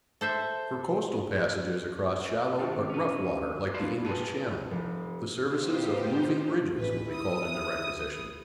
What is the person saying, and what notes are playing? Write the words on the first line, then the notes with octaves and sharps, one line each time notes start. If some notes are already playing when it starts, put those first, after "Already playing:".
For coastal passages across shallow but rough water like the English Channel, the services of moving bridges will be called into requisition.
A4 C5 E5
D#3 C4 D4 F4 A4
C#4 B4
B4 D5 F5 A5 B5 C6
F4 G4 B4 G#5 A5
F1
B3 D#4 F4 G4 C5
A1 B4
E4 D#6